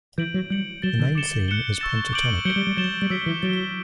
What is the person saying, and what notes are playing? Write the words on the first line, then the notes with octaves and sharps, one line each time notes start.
The main theme is pentatonic.
E3 G6 D7 F#7
F#3
G3 G6 C#7 F#7
F#3 A6 E7 G7
D3
D6 A6 C#7 E7 G7
F#6 C#7 E7 G7
C#6 E6 A6 E7
D6 G6 D7 F#7
F#3 G6 C#7 G7
G3
G3
F#3 A6 E7 G7
G3
F#3 E6 G6 B6 F#7
E3
F#3 A6 D7 G7